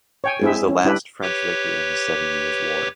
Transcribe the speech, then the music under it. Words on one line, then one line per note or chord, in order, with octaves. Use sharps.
It was the last French victory in the Seven Years' War.
C#5 G5 G#5
G#3 C4 E4 G#4 E5
C#4
G3 D4 E4 G4 B4
G4 B4 C#5 D6